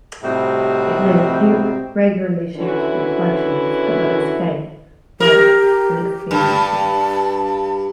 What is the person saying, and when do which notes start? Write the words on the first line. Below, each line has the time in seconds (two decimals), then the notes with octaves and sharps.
In it, he regularly shares reflections about his faith, work, and experiences.
0.23 A2 C3 G3 C4 D#4 F#4
2.57 D3 E3 C#4 E4 F#4 B4
5.20 G4 A#4
6.31 G2 A5